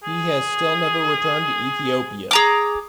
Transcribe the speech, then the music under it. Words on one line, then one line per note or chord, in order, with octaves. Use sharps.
He has still never returned to Ethiopia.
G#4
G#4 A#5 D6